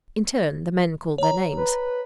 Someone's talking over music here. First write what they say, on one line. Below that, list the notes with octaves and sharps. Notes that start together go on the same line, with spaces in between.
In turn the men called their names.
C#5 A#5
B4